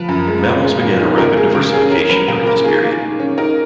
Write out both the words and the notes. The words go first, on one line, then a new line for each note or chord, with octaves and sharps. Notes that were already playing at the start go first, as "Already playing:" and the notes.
Mammals began a rapid diversification during this period.
Already playing: F3 B4
F#2
G#3
A#2
G#3
A#2
D#4
C#3 A#4
G#3 G#4
C#3 A#4
C#4 G#4
C#4 A#4
F#3 B4
A#2 A#4
A#3 A#4
D#3 G#4
A#3
D#3
C#4
D#4 A#4